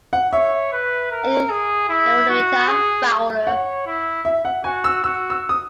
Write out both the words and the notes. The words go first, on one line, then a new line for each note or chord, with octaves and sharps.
Edith Henrietta Fowler.
F#5
C#5 E5
B4
A#4
G#4
E4
F#4
G#4
C#5 F#5
E4
E5
F#5
F#4 G#5
E6
F#4 E6
E6
D#6